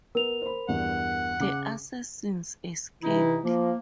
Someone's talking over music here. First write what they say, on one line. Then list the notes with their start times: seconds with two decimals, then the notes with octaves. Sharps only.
The assassins escaped.
0.15 B3 A#4 F7
0.42 C5 B5
0.68 E2 G2 F#5
1.40 C#3 D6
3.03 C3 E3 D#4 E4
3.44 F3 A#3